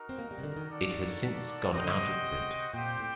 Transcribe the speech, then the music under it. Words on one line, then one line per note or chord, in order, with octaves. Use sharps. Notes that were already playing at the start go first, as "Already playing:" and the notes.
It has since gone out-of-print.
Already playing: D#4 F#4 A#4
C4
A#3
G3
C3
D3
D#3
A#3 F#4 A4 D5
C3 F#4 C5 D#5 G5
D3
C3
A#2 C4 G4 C5 G5
A2